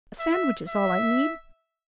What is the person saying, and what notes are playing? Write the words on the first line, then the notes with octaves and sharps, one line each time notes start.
A sandwich is all I need.
E5
E5